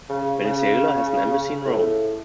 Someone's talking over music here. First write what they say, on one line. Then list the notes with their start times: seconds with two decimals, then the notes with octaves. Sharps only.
Venezuela has an embassy in Rome.
0.09 C#3
0.45 C#3
1.65 A2